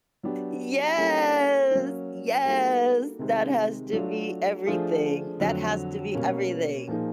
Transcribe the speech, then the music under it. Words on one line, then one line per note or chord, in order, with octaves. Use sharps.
Yes, yes. That has to be everything. That has to be everything.
F#3 B3 D4 G4
G3 A#3 C#4 E4 A4
F#3 A#3 C#4
G3 A#3 D#4 F#4 A4
C3 D#3 G#3 C4
F#3 A3 D4 F4
F3 A3 D4 F4 G#4
F2 D3 F#3
B2 G3 A#3 C#4
A#2 F3 A#3 D#4 G#4